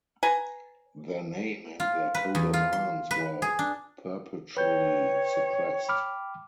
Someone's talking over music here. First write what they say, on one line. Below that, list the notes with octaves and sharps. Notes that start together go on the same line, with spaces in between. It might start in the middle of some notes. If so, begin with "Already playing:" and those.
Their name and their coat of arms were perpetually suppressed.
B4 G#5 A#5
F4
B4
E2
F4
C6
B4
G#4
D4
B4 C#5 G5 G6
B5 D6 F6